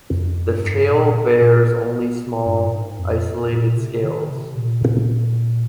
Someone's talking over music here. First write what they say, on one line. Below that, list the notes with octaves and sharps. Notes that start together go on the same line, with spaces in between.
The tail bears only small, isolated scales.
F2
G2
A#2
A#2
G2
A#2
G#2
F2
A#2
C3
D#3
C3
A#2